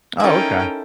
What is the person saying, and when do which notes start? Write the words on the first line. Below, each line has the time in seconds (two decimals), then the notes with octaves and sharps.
Oh, okay.
0.20 C#4 D#4 E4 A4 A#4 G5